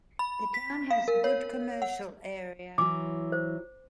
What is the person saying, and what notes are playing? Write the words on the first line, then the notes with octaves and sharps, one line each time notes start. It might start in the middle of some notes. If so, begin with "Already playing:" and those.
The town has a good commercial area.
B5
B6
F5
A#4
C#5
F#5
E3 F#3 D6
C5